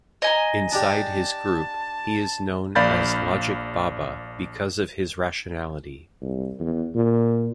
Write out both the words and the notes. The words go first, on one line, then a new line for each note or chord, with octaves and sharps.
Inside his group, he is known as Logic Baba because of his rationality.
D#5 G#5 A#5
D4 G4 A5
A#1 D5 F5 B5 G6 A6
C2
E2
A#2